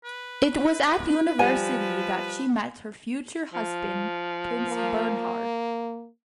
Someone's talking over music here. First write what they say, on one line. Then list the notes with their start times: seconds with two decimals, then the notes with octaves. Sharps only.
It was at university that she met her future husband, Prince Bernhard.
0.05 B4
1.39 F3 G3 G#5
3.54 F3
4.68 A#3